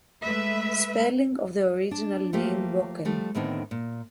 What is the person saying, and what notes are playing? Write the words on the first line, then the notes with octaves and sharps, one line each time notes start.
Spelling of the original name: “Bokel”.
G#3 A3 B4 E5
D4
F3 A3 A#3 F4 G4
F3 G3 A3
A2 D3 D#3 B3 C4 D4
A#2